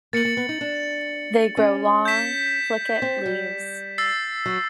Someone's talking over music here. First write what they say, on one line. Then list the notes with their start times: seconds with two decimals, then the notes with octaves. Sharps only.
They grow long, plicate leaves.
0.13 A#3 A6 C#7 F#7
0.25 A#3
0.37 B3
0.49 D#4
0.61 D4
1.57 C#4
2.05 G6 B6 E7
3.02 C4
3.26 G3
3.98 E6 A6 C7
4.46 F#3